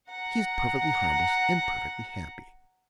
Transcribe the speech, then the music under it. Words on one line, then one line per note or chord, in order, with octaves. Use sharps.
He is perfectly harmless, and perfectly happy.
F#5 A#5